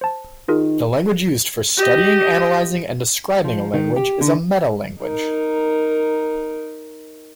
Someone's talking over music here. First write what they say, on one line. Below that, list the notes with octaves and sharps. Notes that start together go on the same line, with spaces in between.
The language used for studying, analyzing, and describing a language is a "metalanguage".
C5 A5
D#3 F4 G#4 A#4
G4 D#5
F3
D#3
G4
D3
D#4 A#4